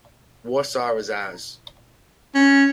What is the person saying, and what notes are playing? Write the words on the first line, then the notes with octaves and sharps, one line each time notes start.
Warsaw is ours!
C#4